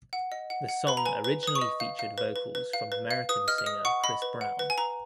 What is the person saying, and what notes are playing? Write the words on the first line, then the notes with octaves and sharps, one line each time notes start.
The song originally featured vocals from American singer Chris Brown.
F#5
D#5
F#5
F#5
B4 B5
A#5
B4 G#5
B4
B4 D#6
C#6
D#5
F5
F5
B4
B4
B4
F5
B4
F5
B4 D#6
D#5 F6
F6
D#5 D#6
F#5 C#6
D#5 B5
B4
F#5
B4
G#5
B4 A#5